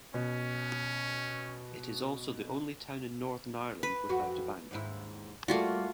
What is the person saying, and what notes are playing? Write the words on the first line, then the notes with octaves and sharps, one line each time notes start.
It is also the only town in Northern Ireland without a bank.
B2 C#4
B4
F2 F#4
D#2 G#2 E4
G3 A3 A#3 F4 F#4